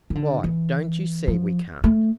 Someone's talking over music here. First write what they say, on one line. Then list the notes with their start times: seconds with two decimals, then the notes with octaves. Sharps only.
"Why, don't you see we can't?"
0.10 D#3
0.15 D3
0.44 E3
1.28 F3
1.84 A3